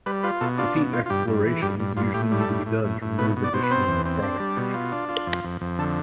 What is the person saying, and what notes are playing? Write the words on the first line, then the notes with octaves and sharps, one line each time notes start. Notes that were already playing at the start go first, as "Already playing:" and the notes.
Repeat explorations usually need to be done to remove additional necrotic tissue.
G3 B4
F4 B4
B2 A4
D4 F4
B2
F4
F4
G2 G4
G2
E3
G2 G4
G2
G2 F4
A2 G4
G3
A4
A2
A2
A2
A2
B2 B4
B2
D5
B2 C5
B4
C4 C5
E2
C4
D4
G3
B2
F4
D4
F4
F2
F2
F2
D3 A4